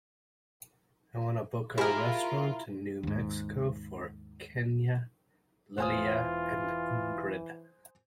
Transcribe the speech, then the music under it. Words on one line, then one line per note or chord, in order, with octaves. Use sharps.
I want to book a restaurant in New Mexico for kenya, lilia and ingrid.
E4 F4 G4 G#4 A#4
D#2 G#2
E1 E3 F4 C5 G#5 D#6